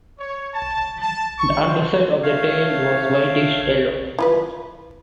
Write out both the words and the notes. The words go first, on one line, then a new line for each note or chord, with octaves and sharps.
The underside of the tail was whitish yellow.
C#5
A5
A5
C#6
C5
A3 C#5 F5
E4 F4 B4